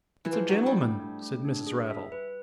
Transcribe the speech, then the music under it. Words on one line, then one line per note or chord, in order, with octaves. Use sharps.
'It's a gentleman,' said Mrs. Raddle.
E3
F3 G4
F#3
D4
G3
A3
D4
A3
D4
G#4
E5
B4